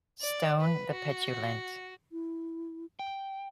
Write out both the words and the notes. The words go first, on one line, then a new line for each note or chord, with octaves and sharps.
Stone the petulant.
D5
B4
F#4
E4
G5